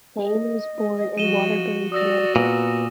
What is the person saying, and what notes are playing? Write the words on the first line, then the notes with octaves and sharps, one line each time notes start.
Mayne was born in Waterbury, Connecticut.
D#5
F3 F#4 D#7 E7 G7
F#4 D5 D#6 E6 A#6
A#2 B3